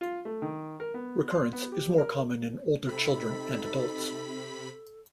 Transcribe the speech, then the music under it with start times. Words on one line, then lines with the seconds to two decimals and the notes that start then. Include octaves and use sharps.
Recurrence is more common in older children and adults.
0.01 F4
0.25 A3
0.42 D#3
0.80 A#4
0.94 B3
1.31 C6
1.53 B3
1.72 G4
1.98 A#4
2.87 C3 D#4 A4 B5 B6